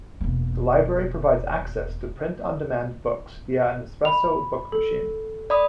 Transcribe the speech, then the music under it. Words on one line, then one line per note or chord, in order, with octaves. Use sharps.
The library provides access to print on demand books via an Espresso Book Machine.
E1 A#3
B5 F7
A4
D5 B5 D#6